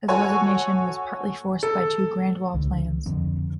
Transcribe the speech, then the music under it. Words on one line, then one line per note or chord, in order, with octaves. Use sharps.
His resignation was partly forced by two grandiose plans.
F#4 A4 C#5 G#5 C#6
A4
C#2 D3
F2 D3